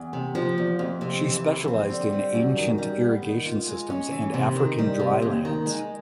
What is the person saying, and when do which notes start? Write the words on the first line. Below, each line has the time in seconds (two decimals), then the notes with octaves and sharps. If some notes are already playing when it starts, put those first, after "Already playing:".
She specialised in ancient irrigation systems and African drylands.
Already playing: E2
0.13 C3
0.35 F3
0.58 E2
0.79 F2
1.01 C3
1.24 E3
1.46 F2
1.68 C4
1.90 D3
2.12 G3
2.34 F#2
2.56 D#3
2.78 G3
3.00 B3
3.22 D#3
3.46 F4
3.67 G#3
3.90 C#4
4.11 E3
4.34 C3
4.56 D#3
4.78 G3
4.99 C3
5.22 D#2
5.45 D#3
5.66 G#3